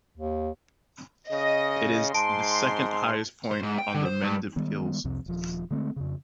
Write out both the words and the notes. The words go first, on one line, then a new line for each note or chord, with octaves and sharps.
It is the second highest point on the Mendip Hills.
D#2
C#3 D#5
G#2 A5 C6 D7
C5
G#2
G5
D3
C5
G2
D#3 G3 G#3 B3
C2 F2 C3
D#1 F3
D3 G#3 A3 C4
F2 C#3